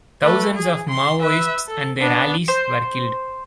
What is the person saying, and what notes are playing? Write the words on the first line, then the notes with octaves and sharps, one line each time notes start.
Thousands of Maoists and their allies were killed.
A3 B4
G#4
C6
B4 E5
A4
B3 D4
C5